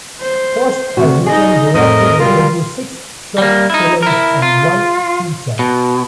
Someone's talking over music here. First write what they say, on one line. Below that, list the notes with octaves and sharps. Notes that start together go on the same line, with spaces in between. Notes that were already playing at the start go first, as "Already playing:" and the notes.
Faust has written, directed and produced six short films and one feature.
C5
D2 C3 F#4
D#4 G#4 D#5
F2 A2 A#4 D#5
F#3 G3 F4 A#4
G3 A#3
D#4 E4
E4 A#4
F4
B2